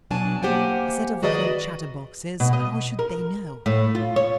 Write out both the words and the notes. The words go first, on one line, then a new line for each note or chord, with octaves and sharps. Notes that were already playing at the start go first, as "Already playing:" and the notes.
A set of idle chatterboxes, how should they know!'
B2 F#3 D4 G#5 A5
A#3 G4 C5 F#5 G#5
D#3 F#4 G#4 B4 D5 D#5
B2
D#5
A#4
A2
F4
C#5